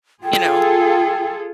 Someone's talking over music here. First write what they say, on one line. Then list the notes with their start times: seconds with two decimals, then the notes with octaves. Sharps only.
you know?
0.24 F4 G#4 A4 G5